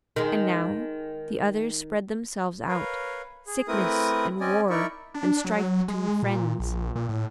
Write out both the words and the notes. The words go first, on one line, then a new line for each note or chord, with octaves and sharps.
And now the others spread themselves out--Sickness and War and Strife between friends.
D#3 G#3
A#4 B4 C#5 F5
G#4
A3 C4 E4 A#4 B4 D#6
C4 C#4 D5 D#5 G#5
D#4 E4 A#4 D5 E5 C#6
D4
F#3
G#3
A#2
A#1
A#2
A2